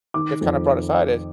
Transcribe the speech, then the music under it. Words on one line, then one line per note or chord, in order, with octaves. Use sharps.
it's kinda brought aside is
D#3 D6
F2